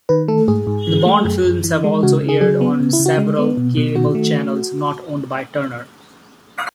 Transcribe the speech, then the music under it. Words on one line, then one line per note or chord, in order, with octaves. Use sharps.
The Bond films have also aired on several cable channels not owned by Turner.
D#3 B4
A3 A4
G#2 G#4
G#2
E3
A3
F#2
F#2
E3
G#3
C#3 F#4
C#3
G#4
F#3 G#4
B3
C#3
E4
C#3
F#4
G#3
B3
B2
B2
D#3 F#4
A3